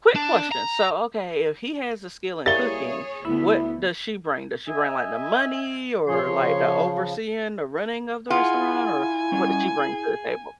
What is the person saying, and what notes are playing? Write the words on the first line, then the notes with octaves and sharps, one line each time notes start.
Quick question. So, okay, if he has a skill in cooking, what does she bring? Does she bring, like, the money or, like, the overseeing the running of the restaurant, or what does she bring to the table?
D4
A#5
G3 A#3 E4 G#4 C#5 A6 G7
D2 B3 E4 E5 B5
D#5 E5 G#5
A#2 F3 G#4 C#5 C6
C#3 F3
E4 F4 G#4 F#5 G#5
G3 C#4
G#4